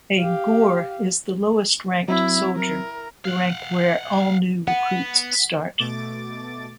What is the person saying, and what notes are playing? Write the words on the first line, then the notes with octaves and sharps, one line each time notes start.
A gorr is the lowest-ranked soldier, the rank where all new recruits start.
G4 F5
F#3 C4 E4
A#4
F5 F#5
B3 F#5
B2 A3 D6 A6